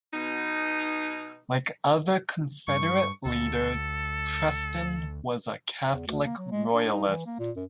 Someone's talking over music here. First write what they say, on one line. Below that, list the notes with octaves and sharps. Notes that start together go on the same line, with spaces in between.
Like other Confederate leaders, Preston was a Catholic Royalist.
B2 D#4
G2 C#6
D2 A4
E2
D2
A#3
F#3
G#3
D4
D#4
E3
A#3
A#2
F#2